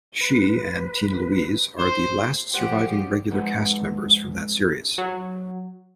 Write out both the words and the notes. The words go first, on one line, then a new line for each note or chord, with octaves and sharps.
She and Tina Louise are the last surviving regular cast members from that series.
B4
C5
F3 G4 C5 D5 F#5
F2 G#3 D#4 B4 C5 F#5
F#3